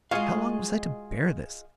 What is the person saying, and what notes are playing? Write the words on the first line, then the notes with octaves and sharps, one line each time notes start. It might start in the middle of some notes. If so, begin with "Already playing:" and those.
How long was I to bear this?
G#3 F4 F#4 G#4 D#5 F5